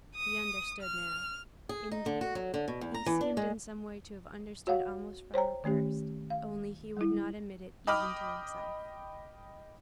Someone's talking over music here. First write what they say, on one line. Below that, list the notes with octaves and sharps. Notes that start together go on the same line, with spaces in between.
He understood now: indeed, he seemed in some way to have understood almost from the first, only he would not admit it even to himself.
D#6
F6
G#4
D#4
D3
F#4
F#3
D3
B2
E2
A#5
E3
D4
G#3
F#4 C#5 F5 F#5
C5 C#5 G5 A#5
D#3 A3 C#4 G4
F5
G3 E4
D#5 G5 B5 D6 D#6 F6